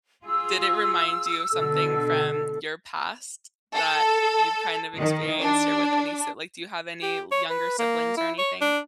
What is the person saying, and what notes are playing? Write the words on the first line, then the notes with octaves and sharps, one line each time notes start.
did it remind you of something from your past that you've kind of experienced or with any s like do you have any younger siblings or anything?
F4 G#4 E6
B2 D3 A4
A4
D#3
D4
G4
C#5
B4
A#3
E4
C#5
D4